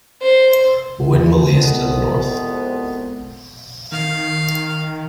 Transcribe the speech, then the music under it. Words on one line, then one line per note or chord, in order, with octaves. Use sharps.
Winmalee is to the north.
C5
C2 F2 G#3 B3
D#3 F5